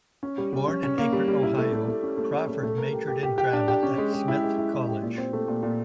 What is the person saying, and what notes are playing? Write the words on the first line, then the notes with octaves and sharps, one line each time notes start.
Born in Akron, Ohio, Crawford majored in drama at Smith College.
C#4
G3
G3
C#4
C#4
A#3
G3
G3
E4
A3
A3
A3
C#4
A3
C#4
A3
A3
A#4
G4
G4
G4
G4
D4
G4
C#4
G#3
G#3
E4
G#3
E4
G#3
G4
A#2
C4
A3
A#2
A#2